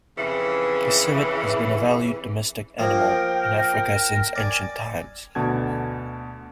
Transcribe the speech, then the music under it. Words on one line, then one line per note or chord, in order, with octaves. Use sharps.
The civet has been a valued domestic animal in Africa since ancient times.
F2 C#3 E3
F3 A#3 A#4 G5
D5 G#5
D2 B2 D3 A5 G#6